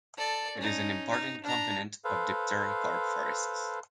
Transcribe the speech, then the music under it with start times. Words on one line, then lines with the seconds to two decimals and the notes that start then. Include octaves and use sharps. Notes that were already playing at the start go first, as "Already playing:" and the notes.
It is an important component of dipterocarp forests.
0.17 A4 D5
0.57 C#4 D#4
1.10 D#4
1.44 D4 A#5
2.05 A4 B4 C5 F5